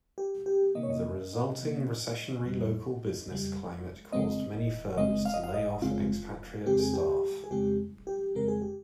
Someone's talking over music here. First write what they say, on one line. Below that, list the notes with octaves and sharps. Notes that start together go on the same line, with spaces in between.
The resulting recessionary local business climate caused many firms to lay off expatriate staff.
G4
G4
C3 D#3 A#3 D#5
C#5
D#5
C3 D#3 A#3
F2 C#3 G3
F2 C#3 G3
C#3 G#3 C4 D#5
C#3 G#3 C4 D#5
F5
D#5
F5
D#5
F2 C#3 G#3 C4 F4
F2 C#3 G#3 C4 G4
G#4
G4
G#4
F2 C#3 G#3 C4 G4
G4
F2 C#3 G#3 C4 A#4
G#4
G4